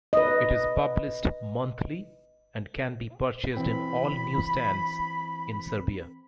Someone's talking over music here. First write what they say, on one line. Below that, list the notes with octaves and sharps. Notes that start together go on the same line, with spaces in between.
It is published monthly and can be purchased in all newsstands in Serbia.
B4 D#5
E3 C4 B5